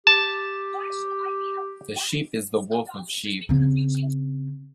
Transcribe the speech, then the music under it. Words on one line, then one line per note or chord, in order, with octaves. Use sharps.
The sheep is the wolf of sheep.
G4 A5
C#3 C4